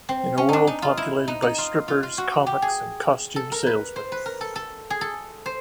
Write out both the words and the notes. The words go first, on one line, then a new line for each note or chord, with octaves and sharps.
In a world populated by strippers, comics and costume salesman.
C4
C#4
D4 D#4
D#4
F4
E4
D#4
D#4
F4
F4
F4
F#4
G4
G#4
A4
A#4
B4
C5
B4
A#4
A4
A4
G#4
A4
C5